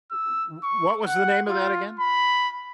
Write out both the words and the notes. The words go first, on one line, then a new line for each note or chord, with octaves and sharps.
W w what was the name of that again?
E6
C#6
F#5
F4
B5